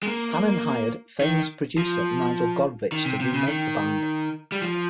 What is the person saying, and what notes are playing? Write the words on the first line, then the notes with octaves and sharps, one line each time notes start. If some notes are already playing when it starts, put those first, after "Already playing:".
Hannon hired famous producer Nigel Godrich to "remake" the band.
G#3
A#3
D#3
F3
D#3
C3
C3
C#3
D#3
G3
F3